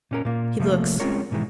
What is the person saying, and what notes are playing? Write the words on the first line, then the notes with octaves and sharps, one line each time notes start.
He looks.
A#2 C#4 A#4
A#2 A#3
C3 F3 G3 A3 A#3
G#3 C4 C#4 F4 A#4 C#5
G#2 B2 D#3 E3 G#3